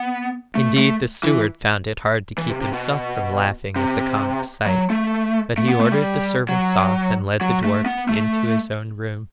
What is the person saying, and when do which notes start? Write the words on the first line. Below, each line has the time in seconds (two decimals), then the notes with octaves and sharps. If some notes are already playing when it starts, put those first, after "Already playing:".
Indeed, the steward found it hard to keep himself from laughing at the comic sight, but he ordered the servants off and led the dwarf into his own room.
Already playing: B3
0.55 A3
0.78 A3
1.23 E3
2.38 E3
2.49 C3
2.61 C3
2.73 B2
3.76 C3
4.66 F#3
4.90 A3
5.58 A3
5.69 B3
5.81 A3
5.92 G3
6.49 F#3
7.41 F#3
7.64 A3
7.86 B3
8.09 A3